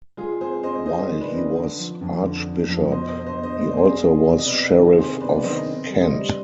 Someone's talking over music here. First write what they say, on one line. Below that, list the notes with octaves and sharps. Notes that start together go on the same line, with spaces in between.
While he was archbishop, he also was sheriff of Kent.
G#3 F4 G#4
C4 G#4 C5
C4 C5 D#5
C4 C5 D#5
D#3
B4 D5
C4
D3
F3
F2
D3
F2
F2
B2 C5 D#5
C5 D#5
B2
C5 D#5
B2
C5 D#5
B3 C5
D5
G#4 C5
B2
B2
C3 D5
D#5
B4 D5
C3
D#3
C3 G#4 C5
B3 B4 D5
D#3 C5 D#5
C4
G3
C5 D#5
G3